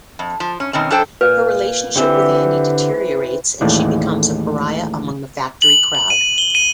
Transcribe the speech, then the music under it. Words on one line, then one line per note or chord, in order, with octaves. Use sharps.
Her relationship with Andy deteriorates and she becomes a pariah among the Factory crowd.
F2
F3
C#4
B2 D#3 C4 C#4
F#2 D4 A4 C5 G5
A#2 B4
D3 E3 C4 G4 E5
A1 D#2 A2 G#3 A3 D5
F#7
F#7
D#7
G7
D#7